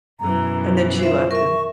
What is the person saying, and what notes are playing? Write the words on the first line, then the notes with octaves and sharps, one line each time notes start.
And then she left him.
F#2 B2 E3 A#5
F4 C5 E5
A#4 E5 C#6